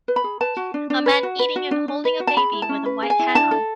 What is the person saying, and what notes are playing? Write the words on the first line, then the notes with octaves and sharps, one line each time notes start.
A man eating and holding a baby with a white hat on.
B4
B5
G#4
B4 A5
F#4
D4
D4
B4
F#4
B4
F#4
D4
D4
B4
F#4
A5
G#4 B5
E4
A5
C#4
B4
G#4
G#5
E4
D4 A5
A4